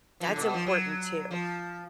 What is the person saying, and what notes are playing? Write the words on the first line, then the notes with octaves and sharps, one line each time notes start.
that's important too.
F3
D3
A2
B2
F3
F#3
F3